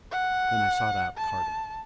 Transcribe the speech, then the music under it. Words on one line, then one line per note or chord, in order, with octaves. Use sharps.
Then I sought out Carter.
F#5
A5